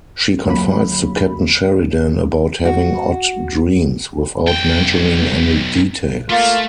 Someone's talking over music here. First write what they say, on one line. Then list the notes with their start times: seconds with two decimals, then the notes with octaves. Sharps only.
She confides to Captain Sheridan about having odd dreams, without mentioning any details.
0.46 D2 F#3 A#3 B5
2.65 F#4
4.47 B1 G5
6.30 A3 A#3 F4